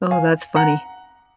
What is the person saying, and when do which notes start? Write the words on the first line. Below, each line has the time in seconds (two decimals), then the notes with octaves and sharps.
Oh, that's funny.
0.11 F5 G#5
0.56 F#5 A#5